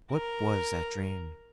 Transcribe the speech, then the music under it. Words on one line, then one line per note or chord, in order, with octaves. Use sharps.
What was that dream?
A#4